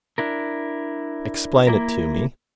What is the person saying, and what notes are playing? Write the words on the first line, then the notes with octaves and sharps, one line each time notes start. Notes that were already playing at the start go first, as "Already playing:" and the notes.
"Explain it to me."
D4 E4 A#4
A#3 E4 A#4